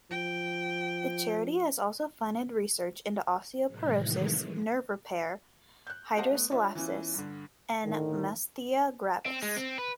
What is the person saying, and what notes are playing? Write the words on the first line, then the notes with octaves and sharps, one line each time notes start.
The charity has also funded research into osteoporosis, nerve repair, hydrocephalus and myasthenia gravis.
F3 G5
A2 C3 D#3 E3 F#3 G#3
F#6 G6
G4 C5 D#5 F5 F#5 A5
A3 B3
D4 F4 C#5 E5
E3 B3 C#4 E4 F4
G2 D3
A2 D3 D#3
C4
G#3
C4
B4